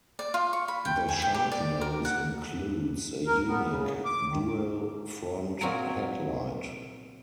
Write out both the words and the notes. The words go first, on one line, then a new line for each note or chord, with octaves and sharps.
The Sharknose includes a unique, dual front headlight.
D5
F4
C#6
B5
G5
G#5
G5
G4
D5
A#4
F#5
A#4
B3
C#3
D6
D#3
A#2 F#3 C4 C#5 G#5 A#5